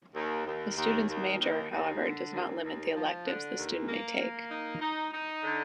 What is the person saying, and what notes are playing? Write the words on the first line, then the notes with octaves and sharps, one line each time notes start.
A student's major, however, does not limit the electives the student may take.
D#2
D#2
D#2
D#2
D#2
D#2
D3
D#2
D#2
F3
D3
D#2
A#3
A#3
D#4
D#4
D#4
D3